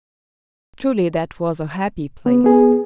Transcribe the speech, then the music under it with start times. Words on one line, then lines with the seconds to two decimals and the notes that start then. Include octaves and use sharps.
Truly that was a happy place.
2.26 B3
2.44 B3 G#4